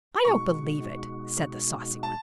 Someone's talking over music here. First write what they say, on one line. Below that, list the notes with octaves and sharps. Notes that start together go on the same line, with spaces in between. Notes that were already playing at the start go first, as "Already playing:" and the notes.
"I don't believe it," said the saucy one.
B2 G#3 D#4 F#4 C#6
A5